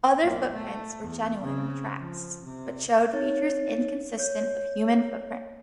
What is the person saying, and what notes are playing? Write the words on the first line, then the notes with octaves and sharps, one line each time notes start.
Other footprints were genuine tracks, but showed features inconsistent with human footprints.
B1 A#3
A3
E2
C#3 C4
F3
C3
C4 D#4 C#5 A6
C#5 G6